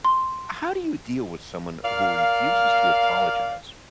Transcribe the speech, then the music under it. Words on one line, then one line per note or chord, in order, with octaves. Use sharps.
How do you deal with someone who refuses to apologize?
C6
A#4 D5 F5